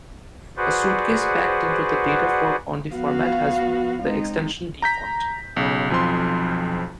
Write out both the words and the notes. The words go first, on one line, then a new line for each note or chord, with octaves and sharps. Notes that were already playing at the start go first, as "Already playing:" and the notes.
A suitcase packed into the data-fork-only format has the extension "dfont".
F#4 G#4 B4 C5 D5 F#5
F3 B3 F#4 F5
G#3 C4 D#4
A#5 G6 B6
B1 C#3
B1 F2 F3 C4 C6